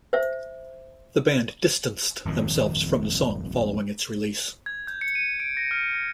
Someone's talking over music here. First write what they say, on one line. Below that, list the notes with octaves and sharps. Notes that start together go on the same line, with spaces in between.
The band distanced themselves from the song following its release.
C5 E5
D#1 G#1 F2 D#3
G#6
G6
C#7
D#7
D7
A#6
F6
A#6